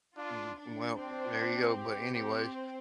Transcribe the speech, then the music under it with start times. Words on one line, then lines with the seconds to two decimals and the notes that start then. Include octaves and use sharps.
Mm, mm, well, there you go, but anyways,
0.17 D4 F4
0.57 D4
0.96 C4 D4
1.75 G4
2.14 C4 G4